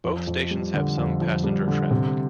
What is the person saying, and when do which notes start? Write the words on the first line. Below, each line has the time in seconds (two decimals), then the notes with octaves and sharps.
Both stations have some passenger traffic.
0.04 F2
0.27 F2
0.51 G3
0.74 D3
0.98 F2
1.21 F2
1.44 G3
1.68 D3
1.91 C3